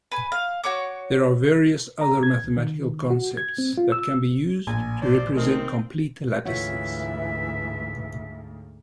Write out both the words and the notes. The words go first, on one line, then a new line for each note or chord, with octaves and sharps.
There are various other mathematical concepts that can be used to represent complete lattices.
B4 G#5
F5
F#4 C#5 C#6 D6
A#5
G#6
C#2
D#3
F#4
G#6
C4
F4
E6
A#1 A2 G#5
C5 D5
D#3 A3 C4
D2 G#2 E3 F4 C#5 E5 F#5